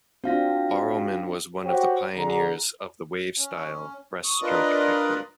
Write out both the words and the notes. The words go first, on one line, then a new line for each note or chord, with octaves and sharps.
Barrowman was one of the pioneers of the "wave-style" breaststroke technique.
C4 D4 F4 F#4 F5 A#6
F#4 G4 C5 C#5 F#5 G5
D3 G#4 A#5
C#4
C#6 D#6
D4 F4 A#4 B4 D5 D#5